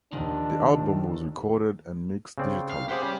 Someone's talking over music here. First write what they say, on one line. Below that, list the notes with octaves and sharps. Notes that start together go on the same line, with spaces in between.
The album was recorded and mixed Digitally.
D#2 D#3 F3 D4
C#3 C4 D5
F5
G4 G#4 C5 D5 F#5
C#4